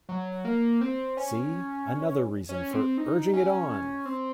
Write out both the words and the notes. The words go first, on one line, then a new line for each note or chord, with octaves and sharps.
See another reason for urging it on!
F#3
A#3
C4
C#4
C#4
C4
D#4
C#4
C#4
C4